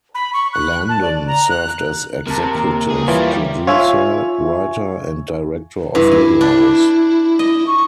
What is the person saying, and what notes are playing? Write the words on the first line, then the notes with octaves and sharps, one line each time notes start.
Landon served as executive producer, writer, and director of Little House.
B5
C#6
F#6
A5
D5
A#5
F#6
C3 A#4 A5
D#2 A#4
B1 G#4
E3 G3 F4 G4 C#5
F4 C#5 E5 G#5
G2 E4
G#5
D4
D#5
C#6